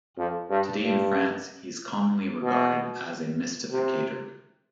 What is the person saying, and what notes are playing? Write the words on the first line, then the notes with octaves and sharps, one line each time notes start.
Today in France he is commonly regarded as a mystificator.
F2
G2
G2
B2
C3